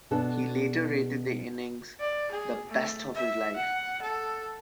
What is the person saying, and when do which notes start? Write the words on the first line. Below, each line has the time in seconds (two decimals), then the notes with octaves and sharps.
He later rated the innings the "best of his life".
0.11 B2 D4 A4
2.00 D5
2.31 G#4
2.70 A3
3.15 E5
3.56 F#5
4.02 A4